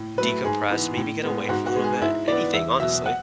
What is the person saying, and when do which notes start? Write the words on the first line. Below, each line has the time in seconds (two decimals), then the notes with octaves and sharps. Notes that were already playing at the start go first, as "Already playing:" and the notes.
decompress, maybe get away for a little bit, anything, honestly.
Already playing: A2
0.18 F#3 A3 B4
0.44 G#2 G#4
0.71 E3 B3
0.97 A2
1.23 G#3 B3
1.49 G#2 F#4
1.66 F#4
1.76 G#3 B3
1.84 G#4
2.01 G#2 E4
2.28 E3 B3 D5
2.54 E2 E5
2.80 B2 F#3 E5
3.06 F#5